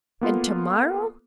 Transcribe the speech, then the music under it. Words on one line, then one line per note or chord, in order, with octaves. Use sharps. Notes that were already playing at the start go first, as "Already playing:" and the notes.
And tomorrow?
A#3 B3 F4 A4